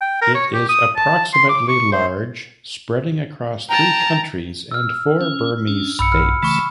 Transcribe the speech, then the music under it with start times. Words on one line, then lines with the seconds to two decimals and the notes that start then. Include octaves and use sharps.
It is approximately large, spreading across three countries and four Burmese states.
0.01 G5
0.22 A#4
0.35 C#5
0.54 G4
0.69 D#6
0.96 A5
1.33 C6
1.49 D6
1.68 C#6
1.92 C5
3.69 G5 A5 A#5
4.71 E6 F6
5.21 C#4
5.68 C#4 D4
5.99 B1 G2 B5 E6 C#7
6.12 F6
6.43 C#3 E3 A3 B5 C#6